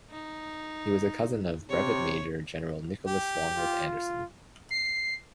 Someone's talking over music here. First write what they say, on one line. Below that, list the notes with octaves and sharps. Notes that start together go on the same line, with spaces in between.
He was a cousin of Brevet Major General Nicholas Longworth Anderson.
D#4
C3 C#5
G4
F4
C7